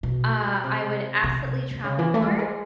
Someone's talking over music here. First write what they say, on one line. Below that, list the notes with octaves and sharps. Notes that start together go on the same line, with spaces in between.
Uh, I would absolutely travel more,
B2
C3
C3
C#3
E3
A3
G#3
G3
G#3